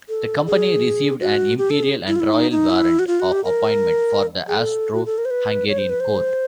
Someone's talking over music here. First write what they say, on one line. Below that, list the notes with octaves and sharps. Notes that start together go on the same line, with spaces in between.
The company received an imperial and royal warrant of appointment for the Austro-Hungarian court.
A4
G#4
F#4
G4
A4
G#4
E4
F4
E4
D#4
D#4
E4
F#4
F4
F#4
G4
A#4
G#4
A4
F#4
A4
A#4
C5
B4
C#5
C5
B4
C5